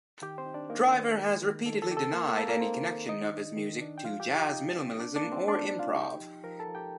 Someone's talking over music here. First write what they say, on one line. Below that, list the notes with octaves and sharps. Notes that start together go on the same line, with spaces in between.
Driver has repeatedly denied any connection of his music to jazz, minimalism or improv.
D#3 G4 G5
C4 C5
D#4
D4 D5
A#3 D#4 A#4
D#3
D#3
D#3
D#3 A4
A4
D#3 G4
A4
A#3 A#4
A4
A#3 A4
A#3 A#4
C4 D#4 C5
D#3
D#3 D#4 D#5
D4
D#3
D4
G5
F3 F4 F5
G4 G5
D#4
G4 G5
D#4
C4
A#3 D4 D5
D4 D5
A#3
C4 C5
G3 D4 D5
D#4
F4 F5
D#4 G4 G5
F3
F3 A#4 A#5
A4 A5
F3
G4 G5